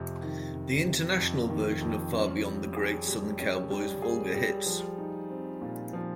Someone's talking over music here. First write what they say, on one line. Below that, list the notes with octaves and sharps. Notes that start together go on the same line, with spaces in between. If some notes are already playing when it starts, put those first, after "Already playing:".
The International version of Far Beyond the Great Southern Cowboys' Vulgar Hits!
Already playing: F2 C3
D#3
F2
C3
F2
D#3
F2
C#4
G3
G#4
G3
C#4
G3
G#4
G3
F3
D#4
C4
A#2
F3